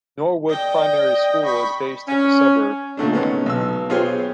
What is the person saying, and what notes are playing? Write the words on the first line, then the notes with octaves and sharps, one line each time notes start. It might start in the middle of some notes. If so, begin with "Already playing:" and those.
Norwood Primary School is based in the suburb.
A4 D5 D#5 G5
B5 C#6
C#4
A#2 D3 A3 D4
D#3 G#3 B3 C#4
B1 E6
B3 F4 G4 G#4 C5 C#5